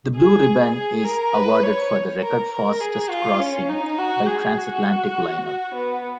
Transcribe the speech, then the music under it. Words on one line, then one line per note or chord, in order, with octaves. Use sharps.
The Blue Riband is awarded for the record fastest crossing by transatlantic liner.
G#4
G#4
A#4
B4
C#5
A#4
A#4
G#4
F4
C#4
D#4
F#4
G#4
F#4
F#4
B3